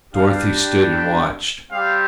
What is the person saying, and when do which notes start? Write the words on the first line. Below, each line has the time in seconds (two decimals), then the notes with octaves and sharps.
Dorothy stood and watched.
0.12 G3 D4 G4 F5
0.91 G5
1.70 G3 C4 G4 F5